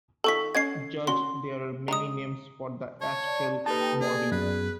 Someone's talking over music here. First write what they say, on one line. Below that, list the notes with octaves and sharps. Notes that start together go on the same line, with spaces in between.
Judge There are many names for the Astral Body.
D#3 F4 A4 A5 C#6 B6
C#4 D#5 F#5 G#6 C7
C#4 F#4 C6
G#3 D4 A#5 D#6
C#5 A5
D5
A#3 D#4 G4 A4 B4 A5
G5
G#4 D5
F#2 B3 G#4 B4